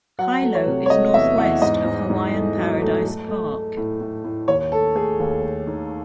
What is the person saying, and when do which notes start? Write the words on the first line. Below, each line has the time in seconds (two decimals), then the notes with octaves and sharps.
Hilo is northwest of Hawaiian Paradise Park.
0.19 F#3 F#5
0.42 A3
0.55 C#5
0.67 C3
0.86 C#5
0.90 A3 D#5
1.14 E2 E5
1.38 E2 F#5
1.62 G#2 D#5
1.86 G#2
2.10 G#2
2.33 A3
2.58 F#3
2.81 A3
3.05 A3
3.28 A3
3.52 A3
3.77 A2
4.01 A2
4.24 A2
4.48 D#2 C#5
4.72 A3 A4
4.95 A3 G#4
5.20 D#2
5.43 A3
5.67 D#3